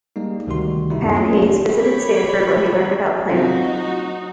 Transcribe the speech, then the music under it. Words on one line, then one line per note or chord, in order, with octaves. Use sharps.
Pat Hayes visited Stanford where he learned about Planner.
G3 G#3 A#3 D#4
D2 C3 D#3 G3 F#4 C6
G3 D#4 E4
F#2 B3
F#3 A3 A#3 C#4 D#4 F4
G4 C#5 B5
F#3 C4 D#4 F4 F#4